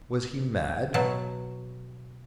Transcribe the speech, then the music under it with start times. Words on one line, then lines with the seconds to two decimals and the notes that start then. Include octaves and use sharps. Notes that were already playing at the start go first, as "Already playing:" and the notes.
Was he mad?
0.94 B2 F#3 A5